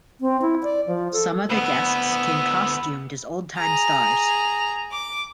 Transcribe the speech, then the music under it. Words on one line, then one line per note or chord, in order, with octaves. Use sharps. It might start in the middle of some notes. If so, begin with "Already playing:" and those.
Some other guests came costumed as old-time stars.
C4
E4
D5
F3
A4
D2 B3 E4
G#4 A#5
D6